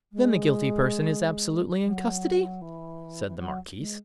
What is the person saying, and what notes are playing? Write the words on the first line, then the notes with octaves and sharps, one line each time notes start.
"Then the guilty person is absolutely in custody?" said the marquise.
G#3
F#3
E3
E3
F#3
G#3